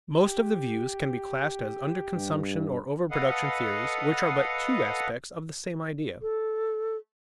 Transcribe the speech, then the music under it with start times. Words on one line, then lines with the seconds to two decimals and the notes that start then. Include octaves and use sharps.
Most of the views can be classed as under-consumption or over-production theories, which are but two aspects of the same idea.
0.20 G4
2.15 G2
3.11 A4 B4 D#5 F5 F#5
6.22 A4